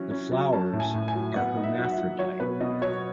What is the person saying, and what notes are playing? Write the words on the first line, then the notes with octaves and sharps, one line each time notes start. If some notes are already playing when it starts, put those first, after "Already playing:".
The flowers are hermaphrodite.
Already playing: E3 F#3 C#4
C#4
F#3
C#4 A5
A2
G#5
A2
G#5
F#3
B3 F#5
D#4
E5
F#3
F#5
E5
F#3
F#3 C#5
B2 B4
B2 D#5
F#3 C#5